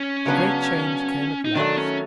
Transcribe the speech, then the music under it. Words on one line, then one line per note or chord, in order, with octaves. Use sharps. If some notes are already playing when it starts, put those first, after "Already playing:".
The great change came at last.
Already playing: C#4
C#3 F#3 B3 D4
D#4
D#3 F#3 A3 D4
C#4